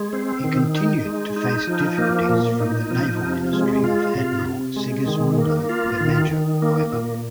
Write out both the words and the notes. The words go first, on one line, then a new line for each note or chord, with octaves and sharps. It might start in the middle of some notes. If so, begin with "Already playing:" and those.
He continued to face difficulties from the naval ministry of Admiral Segismundo Bermejo, however.
Already playing: G#3
C4
D#3
D#4
G#3
D#4
F3
A#3
A#2
D#4
F3
C3
G#3
F4
C3
C3
G#3
D#3
A#3
F4
D#3
D#3
A#3
A#2